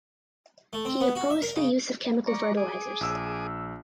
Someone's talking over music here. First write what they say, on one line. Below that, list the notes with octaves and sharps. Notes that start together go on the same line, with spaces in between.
He opposed the use of chemical fertilizers.
A3
C4
B3
F#4
E5
A#4
C#3
D5 A#5 C#6
G#4 D6 D#6
A#1 E6